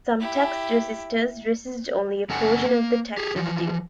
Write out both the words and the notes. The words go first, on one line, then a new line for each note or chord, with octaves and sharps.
Some tax resisters resist only a portion of the taxes due.
E4 G4
F#2 C#3 A4 F#5 G#5
A#3
G4 G#4
E3 F3